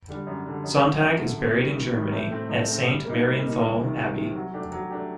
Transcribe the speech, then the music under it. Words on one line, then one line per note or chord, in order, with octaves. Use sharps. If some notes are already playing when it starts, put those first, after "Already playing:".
Sonntag is buried in Germany at Saint Marienthal Abbey.
D3 G3 D4
F#2
D3 G3 D4
F#2
D3 A3
F#2
D3 A3
C3
D#3 G3
C3
D#3 G3
A2
A3 C4
A2
A3 C4
G3
A#3 D#4
G3
A#3 D#4
C2
C3 D#3
C2
C3 D#3
F#3
A3 D4 G4
F#3
A3 D4 G4